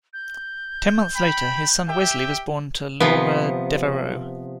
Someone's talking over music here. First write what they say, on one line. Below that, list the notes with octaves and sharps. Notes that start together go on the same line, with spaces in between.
Ten months later, his son Wesley was born to Laura Devereaux.
G6
G5 B5
G4 E5 G5
C3 F3 B3